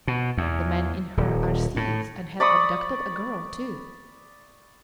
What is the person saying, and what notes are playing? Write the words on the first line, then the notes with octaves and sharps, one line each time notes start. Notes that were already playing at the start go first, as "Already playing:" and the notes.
The men in her are thieves and have abducted a girl, too.
B2
E2
D#1
A2
D5 B5 C#6 D#6